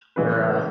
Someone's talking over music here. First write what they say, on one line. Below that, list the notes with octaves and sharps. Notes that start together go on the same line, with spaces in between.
where, uh
C#3 E3 G#3 B4